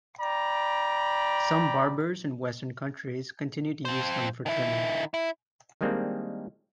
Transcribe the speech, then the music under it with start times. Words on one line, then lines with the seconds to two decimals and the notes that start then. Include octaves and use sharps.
Some barbers in Western countries continue to use them for trimming.
0.20 D5 G5 A#5 B5
3.85 F2 C5
4.46 D#3 E4
5.14 E4
5.81 D#3 G3 G#3 A#3 C4 D4